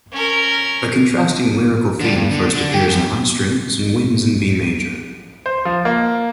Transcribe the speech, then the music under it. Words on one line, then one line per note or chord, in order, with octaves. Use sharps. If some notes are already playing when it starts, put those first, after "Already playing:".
A contrasting lyrical theme first appears in high strings and winds in B major.
C#4 A#4
D3 G3
G2
D3
D3
G#4 G5
F#2
C5
F3
A#3